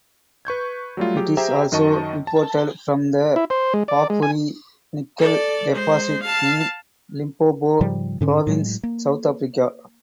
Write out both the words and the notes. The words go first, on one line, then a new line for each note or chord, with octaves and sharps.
It is also reported from the Pafuri nickel deposit in Limpopo Province, South Africa.
B4 C#6 G6 G#6
F#3 G3 A3 F4
F#3 G4 G#4
G4 G#4 C5 E5 G5 A#5
F#2 D#3 F#4 D#5 A5 C#6
A5
E4
C5
G#3
D5
G#3
G#5
A4 D5
G#3 C5
F5 A5
G#2 C#3 F3 G3
G#2 D3 C#4
A2 F#3 G#3
A#3